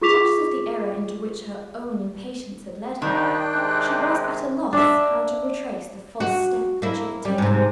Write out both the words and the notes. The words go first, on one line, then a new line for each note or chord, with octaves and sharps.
Conscious of the error into which her own impatience had led her, she was at a loss how to retrace the false step that she had taken.
F4 G#4 C#6 D6 B6 F7
A#1 D#3 G3 D4 D#4 G5 F#6
C3 G#3
D4 E5
F#4
A#3 E4
G3
G#2 C3